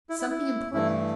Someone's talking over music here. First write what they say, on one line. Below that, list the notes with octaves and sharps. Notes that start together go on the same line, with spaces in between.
"Something important."
E4
E4
E4
G2 E3 A3 E4